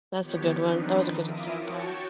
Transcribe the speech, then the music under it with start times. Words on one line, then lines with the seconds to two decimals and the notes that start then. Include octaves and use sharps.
that's a good one, that was a good example.
0.20 D#3 F3 B3 G4 C#5
0.59 D#3 F3 C4 D4 D#4 B4
1.19 E4 F4 A#4 E5 D6 D#6
1.57 F#4 C#5 G5 A5 C#6